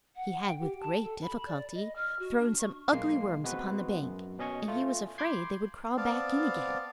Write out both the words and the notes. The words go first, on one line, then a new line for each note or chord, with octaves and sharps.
He had, with great difficulty, thrown some ugly worms upon the bank and he was afraid they would crawl back in again.
F#5
G5
G4
A5
A4
B5
D5
D#5
F6
F#4
D4
C#6
B1 G#3 A#3 C7
G#3 B3 C4 F#4 B4
F#2
B2 C#4 D#5 G#5 C#6
A3 F4
B5 C6 D6 G6 G#6 C7
B3 C4 D5 F5 A5